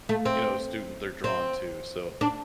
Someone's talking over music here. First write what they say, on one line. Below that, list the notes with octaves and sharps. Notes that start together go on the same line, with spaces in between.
you know, student they're drawn to, so,
A3
C4
C4
D4